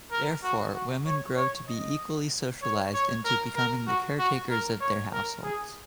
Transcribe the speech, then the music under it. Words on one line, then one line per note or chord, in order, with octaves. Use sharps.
Therefore, women grow to be equally socialised into becoming the caretakers of their households.
A#4
F#4
F#4
C#5
C#5
D#5
C#5
C#5
A#4
A#4
F#4
F#4
A#4
C#5
A#4
G#4